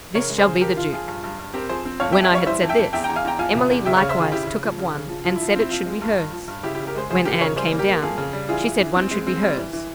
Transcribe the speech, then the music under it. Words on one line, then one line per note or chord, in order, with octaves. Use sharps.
This shall be the Duke!' When I had said this, Emily likewise took up one and said it should be hers; when Anne came down, she said one should be hers.
C#3 A#4 C#5
G#3
G#4 C5
C#3
F3 G4 A#4
F3 F4
F3 F4 G#4
G2
G2
G2
C4 G4 A#4
F3 G#4 C5
C4
F2 C#5 F5
E5 G5
F2
E5 G5
G3 C#5 F5
E3 C5 E5
F2
E5 G5
F2
E2 E5 G5
G5 A#5
E2
F5 G#5
E2 G5 A#5
F3 F5 G#5
C3
E2
C#3 E5 G5
C#5 F5
C#3
C5 E5
C#3 F4 G#4
C#3 E4 G4
E4
C#3
F3
C#3
C#3
F3
F3 F4
E4
F3
F4
C4 E4
F3 F4
G#3
G2
G2
F3
G2
C#3 E4 G4
E4 G4
C#3
G4 A#4
G#3 G#4 C5
C#3 G#4 C5
F3 G4 A#4
C#3 A#4 C#5
G3 G#4 C5
A#3
G4 A#4
A#3
F2 F4 G#4
C#3
G3
E3 F4 G#4
E3
E3
C4
G#3
C4
G3
E3
E3